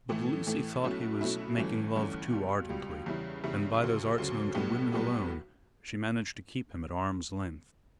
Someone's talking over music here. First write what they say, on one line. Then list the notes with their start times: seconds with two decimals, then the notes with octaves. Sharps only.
But Lucy thought he was making love too ardently, and by those arts known to women alone, she managed to keep him at arm's length.
0.09 A2 E3 A3
0.47 A2 E3 A3
0.84 B1 B2 A3 C#4 E4
1.21 B1 B2 A3 C#4 E4
1.58 G1 G2 E3 A3 C#4
1.96 G1 G2 E3 A3 C#4
2.32 C#2 B2 G3
2.69 C#2 B2 G3
3.06 E2 C#3 G3 C#4 E4
3.44 E2 C#3 G3 C#4 E4
3.81 D2 C#3 F#3
4.18 D2 C#3 F#3
4.55 B1 A2 G3 B3
4.92 B1 A2 G3 B3